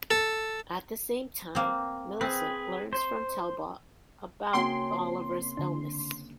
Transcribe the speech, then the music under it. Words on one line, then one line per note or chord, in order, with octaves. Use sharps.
At the same time, Millicent learns from Talbot about Oliver's illness.
A4
A#3 C4
C4 G#4 B4
C5 C6
C#3 A#3 C4 F#4 G5 C6 D7
D3 D4